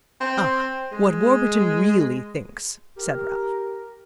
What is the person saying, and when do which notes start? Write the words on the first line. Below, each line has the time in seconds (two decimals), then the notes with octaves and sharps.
"Ah, what Warburton really thinks--!" said Ralph.
0.21 C4
0.92 G#3
2.97 G4 A#4